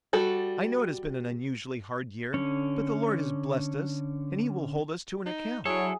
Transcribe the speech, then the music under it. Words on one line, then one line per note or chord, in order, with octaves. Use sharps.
I know it has been an unusually hard year but the Lord has blessed us and He will hold us to an account.
G3 F#4 A4
D3 C#4
D#4
F#3 D4 E4 G#4 A4 C#5